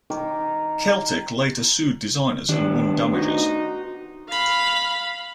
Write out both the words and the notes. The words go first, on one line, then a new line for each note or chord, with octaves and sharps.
Celtic later sued the designers and won damages.
D#3 A#4 D6
A2 D#3 B3 D4 G4
D#4 F#4 C5
F5 B5